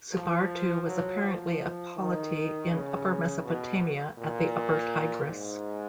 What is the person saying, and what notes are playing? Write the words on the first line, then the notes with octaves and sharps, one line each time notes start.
Subartu was apparently a polity in Upper Mesopotamia, at the upper Tigris.
F3
F#3
F3
D#3
C#3
B2
A#2
G#2